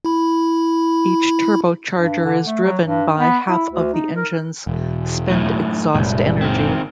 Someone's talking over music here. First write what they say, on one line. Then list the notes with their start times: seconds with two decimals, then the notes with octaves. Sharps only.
Each turbocharger is driven by half of the engine's spent exhaust energy.
0.05 E4 B5
1.96 G2
2.25 D3
2.45 A3
2.64 F#3
2.84 G2
3.19 B3
3.48 E4
3.71 D2
3.93 D#4
4.16 A#4
4.67 E1
5.30 F#2 A2
5.95 F#1 C2 A#2 G#3
6.41 D#3 C4